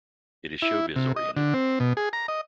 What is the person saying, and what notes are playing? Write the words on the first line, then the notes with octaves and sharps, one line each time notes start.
It is showbiz oriented.
E4
C3
D#5
D3
C4
B2
G#4
A#5
D#5